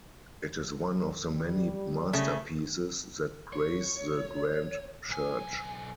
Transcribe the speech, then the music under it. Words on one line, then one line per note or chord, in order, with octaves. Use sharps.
It is one of the many masterpieces that grace the grand church.
G3
C#3 A3
C#5
B1 G#5